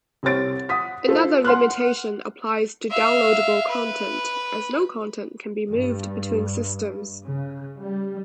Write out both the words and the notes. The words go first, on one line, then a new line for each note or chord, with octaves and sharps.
Another limitation applies to downloadable content, as no content can be moved between systems.
C2 C4 G4 C#5 A6 D7
F#5 D#6 B6
F4 A4 C5
F#5 C6 F6 F#6
E5 F5
B4
G2
C#3
G3